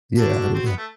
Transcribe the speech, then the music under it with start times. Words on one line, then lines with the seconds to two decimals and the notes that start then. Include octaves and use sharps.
Yeah, yeah.
0.18 D3 D4 F#4
0.54 C4
0.66 B3
0.77 A3